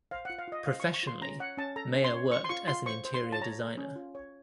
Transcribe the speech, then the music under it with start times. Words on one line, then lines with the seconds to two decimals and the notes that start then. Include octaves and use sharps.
Professionally, Mayer worked as an interior designer.
0.11 C5 F5
0.25 F4 F#5
0.39 F5
0.48 F4 D#5
0.66 C5 F5
0.80 C#6
0.85 C5
0.94 C#6
1.03 F4 C6
1.21 C#4 A#5
1.39 C#5 F#5
1.58 C#4 A5
1.76 A4 A#5
1.94 C#4
2.04 C6
2.13 C#5
2.31 C5 C#6
2.44 C6
2.49 F4 C#6
2.68 F4 C6
2.86 C5 C#6
3.05 C5
3.14 C6
3.23 F4
3.32 A5
3.41 C#5 A#5
3.59 A4
3.78 C#4
3.96 F4
4.15 C#5